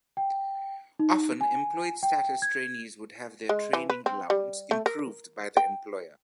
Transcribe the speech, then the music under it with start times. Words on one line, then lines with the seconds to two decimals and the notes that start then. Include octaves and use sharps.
Often, employed status trainees would have their training allowance improved by the employer.
0.17 G5
0.99 D#4
1.41 G#5
2.03 G5
2.42 G#6
3.49 G#3
3.73 E3
3.90 B4
4.06 C4
4.30 G3
4.71 A3
4.86 A#4
5.57 G5